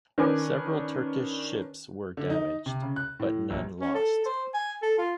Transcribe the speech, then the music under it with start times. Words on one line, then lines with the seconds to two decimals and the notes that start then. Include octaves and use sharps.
Several Turkish ships were damaged, but none lost.
0.18 D#3 C#4 D4 B4 G#5 D6
2.17 D3
2.30 D#4
2.66 C3
2.82 C#3
2.96 F#6
3.20 A2
3.50 A#1
3.80 C#4
3.95 A4
4.26 C5
4.54 G#5
4.83 A4
4.98 F4